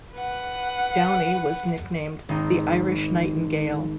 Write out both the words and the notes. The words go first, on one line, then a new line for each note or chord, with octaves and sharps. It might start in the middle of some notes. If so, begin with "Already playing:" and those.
Downey was nicknamed "The Irish Nightingale".
B4 F#5
G#1 D#4